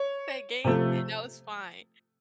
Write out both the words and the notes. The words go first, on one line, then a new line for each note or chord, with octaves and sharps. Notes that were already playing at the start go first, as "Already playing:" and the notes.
That game, and that was fine.
Already playing: C#5
C3 F3 A3